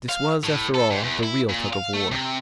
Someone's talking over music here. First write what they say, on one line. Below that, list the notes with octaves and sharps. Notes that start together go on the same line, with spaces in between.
This was, after all, the real tug of war.
F5
A2
A4
G#2
E2
E4
A#2
F5
A3
C3